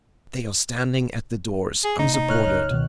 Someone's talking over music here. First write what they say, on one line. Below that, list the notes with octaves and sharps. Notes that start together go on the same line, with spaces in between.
They are standing at the doors unsupported.
G#4
C3 A#3 D#4
D#4
C#5 F6 F#6
C#2
B2 D#3